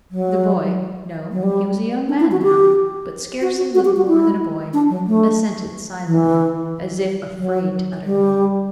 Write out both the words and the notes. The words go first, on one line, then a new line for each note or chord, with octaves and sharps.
The boy--no, he was a young man now, but scarcely looked more than a boy--assented silently, as if afraid to utter the name.
F#3
F#3
G3
D4
E4
F#4
G4
F#4
F#4
F#4
G4
F#4
E4
D4
F#3
A3
E3
F#3
G3